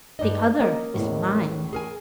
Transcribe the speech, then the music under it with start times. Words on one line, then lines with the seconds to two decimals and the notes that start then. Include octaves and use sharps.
The other is mine.
0.19 G2 D#4 D5 D#5
0.60 A#3 C#4 A#4 D#5 A#5
0.94 A1 E2 A2
1.73 G#4 A#4 G#5